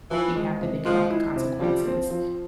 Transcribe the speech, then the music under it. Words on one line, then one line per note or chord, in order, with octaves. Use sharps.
you have to think about the consequences,
E3 F3
G#3
C3
F3 G#3
E4
C3
F3 G3
C4
F3